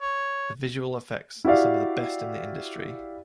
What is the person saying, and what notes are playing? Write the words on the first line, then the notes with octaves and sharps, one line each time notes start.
The visual effects are some of the best in the industry.
C#5
E4 F#4 G4 D5 F5